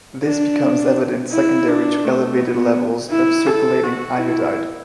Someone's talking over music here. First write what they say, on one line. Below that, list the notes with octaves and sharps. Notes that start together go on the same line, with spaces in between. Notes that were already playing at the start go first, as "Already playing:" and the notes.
This becomes evident secondary to elevated levels of circulating iodide.
D4
E4
D4
A3
B3
E4
A4
F#4
E4